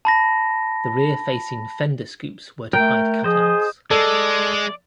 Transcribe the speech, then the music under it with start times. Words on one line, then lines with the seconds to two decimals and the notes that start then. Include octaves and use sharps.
The rear-facing fender scoops were to hide cutouts.
0.05 A5 B5 A#6
2.73 A3 A#4 G5
3.24 F3 G#4 C5 D#5
3.91 G#3 A4 D5